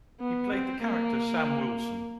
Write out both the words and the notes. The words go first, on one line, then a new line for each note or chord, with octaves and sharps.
He played the character Sam Wilson.
B3
C4
A#3